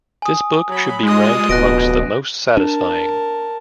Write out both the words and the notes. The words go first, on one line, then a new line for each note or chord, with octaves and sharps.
This book should be ranked amongst the most satisfying.
G#5 D#6
F#3 B5
G3 G#3 F4 D#5
D1 B2 F#6 A#6 D7
D4 A#4 A5